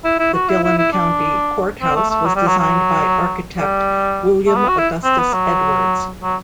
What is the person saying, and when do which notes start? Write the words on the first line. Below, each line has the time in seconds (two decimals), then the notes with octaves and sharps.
The Dillon County Courthouse was designed by architect William Augustus Edwards.
0.04 E4
0.19 E4
0.34 F#4
0.49 E4
0.64 E4
0.78 E4
0.92 D4
1.81 C4
1.96 A3
2.10 A3
2.26 F#3
2.36 G3
2.47 F#3
2.58 F#3
3.58 G3
4.46 A3
4.56 B3
4.68 F#4
4.78 E4
5.04 C4
5.19 B3
5.33 F#3
6.23 F#3